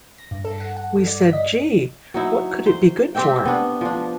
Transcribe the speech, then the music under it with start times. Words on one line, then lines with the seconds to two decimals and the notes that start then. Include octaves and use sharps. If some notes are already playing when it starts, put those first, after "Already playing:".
We said, 'Gee, what could it be good for?
0.18 A#6
0.31 G2
0.45 A4
0.60 F#5
0.77 F#5
0.96 G2
1.07 D5
1.20 B6
1.33 D#5
2.14 F#3 D#4 E4
2.66 C5
3.15 C4 G4 E5 G5
3.45 B3 D4
3.81 F3 D4